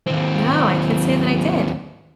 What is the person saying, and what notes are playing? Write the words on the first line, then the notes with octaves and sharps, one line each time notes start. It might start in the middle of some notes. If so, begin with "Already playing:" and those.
No, I can't say that I did.
D#2 C4